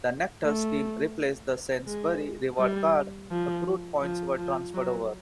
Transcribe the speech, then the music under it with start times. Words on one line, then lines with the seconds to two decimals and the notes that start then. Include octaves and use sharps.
The Nectar scheme replaced the Sainsbury's Reward Card; accrued points were transferred over.
0.43 A3
1.87 G#3
2.58 G3
3.31 F3
4.02 F3
4.38 F3
4.74 F#3